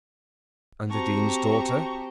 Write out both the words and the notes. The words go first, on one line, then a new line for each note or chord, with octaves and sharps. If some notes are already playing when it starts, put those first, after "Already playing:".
"And the Dean's daughter?"
C4 F#4 G4 A5 A#5 C#6